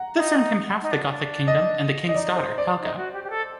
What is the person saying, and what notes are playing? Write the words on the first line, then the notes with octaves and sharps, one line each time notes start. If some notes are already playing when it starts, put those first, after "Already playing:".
This earned him half the Gothic kingdom and the king's daughter, Helga.
Already playing: F#5 A#5
D#4
D#4
D4
D4
D#5
D#5
D#4 D5
C5
D5
D#4
F#4
G4
G4
A4